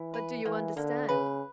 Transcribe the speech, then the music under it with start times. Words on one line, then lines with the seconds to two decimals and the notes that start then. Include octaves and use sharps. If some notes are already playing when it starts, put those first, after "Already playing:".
"But do you understand?"
Already playing: E3 E4
0.14 B4
0.45 E3 A#3
0.76 D3 A#3
1.09 C#3 B4